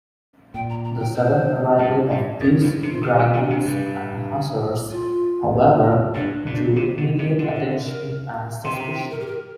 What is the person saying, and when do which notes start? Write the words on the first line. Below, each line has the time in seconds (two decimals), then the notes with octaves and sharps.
The sudden arrival of these dragoons and hussars, however, drew immediate attention and suspicion.
0.54 A#2 G5
0.70 A#5
0.84 A#5
1.00 G5
1.15 C5
1.79 G2
2.10 G2
2.40 F2 A#4
2.61 G2
2.80 C3 D4
2.91 F4
3.03 D3 G4
3.19 C3
3.34 D3 D4
3.50 C3
3.65 G2
4.90 F4
6.14 G2 D4
6.46 A#2
6.76 C3
6.97 D3
7.19 C3
7.39 D3 F4
7.55 G4
7.70 G4
7.86 A#4
8.64 C3 C6
8.73 G5
8.79 A#5
8.94 G5
9.11 A#4
9.20 G4
9.26 A#4